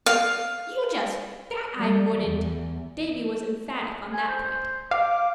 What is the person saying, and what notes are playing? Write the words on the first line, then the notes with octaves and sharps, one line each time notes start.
"You just bet I wouldn't!" Davy was emphatic on that point.
F5
G3
E2
G#5
C5
F5 D6